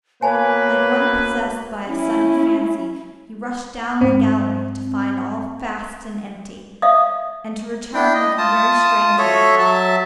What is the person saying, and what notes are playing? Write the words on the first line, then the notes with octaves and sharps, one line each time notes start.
Like one possessed by a sudden fancy he rushed down the gallery to find all fast and empty, and to return looking very strangely.
B2 A#3 B4 C#5 G#5 A5 B5
C#4 E4
G#2 C4
E5 F5 D#6
D4 E4 G5
D#5
F4 A5 D#6
F#4 A4 C#5 E5
F#3 E5 A5